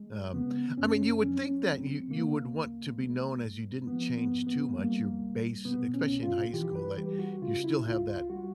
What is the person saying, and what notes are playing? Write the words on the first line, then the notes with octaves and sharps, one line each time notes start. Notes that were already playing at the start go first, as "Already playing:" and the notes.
Um, I mean, you would think that you you would want to be known as you didn't change too much. Your base especially in high school, like, you still have that
Already playing: G#3
C#3 B3
F#2 C#4
F#3 C#4
D2 C4
C#3 A#3
D2
G#3
G#2
F3 B3
B3
G#2
B3
G3 A#3
C2
B2 B3
C#4
C2
F4
E3 G4
B4
G3 G4
F#4
C#3 F4
E4
C#2 F4
F4
G3 F#4